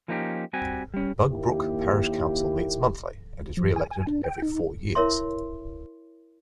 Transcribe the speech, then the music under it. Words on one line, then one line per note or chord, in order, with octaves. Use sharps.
Bugbrooke Parish Council meets monthly and is re-elected every four years.
F3 A#3 C#4 D#4 E4 G4
G3 C4 F#4 G4 G#5
G3 C#4
D#2 A#3 E4 G4
F3
G#5
G#5
D4
G5
D#4
E4 A#4 C#5 E5 C6